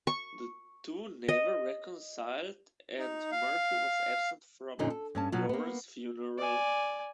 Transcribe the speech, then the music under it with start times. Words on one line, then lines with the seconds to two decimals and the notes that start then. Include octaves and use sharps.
The two never reconciled and Murphy was absent from Lawrence's funeral.
0.07 C#6
1.29 D#5
2.99 D#4
3.32 F5
4.79 F2 A#2 D3 C#4 D#4
4.90 A4
5.15 G2 C#4 A5
5.32 B2 F#3 F4
5.49 A#3 B3
6.38 D5 G#5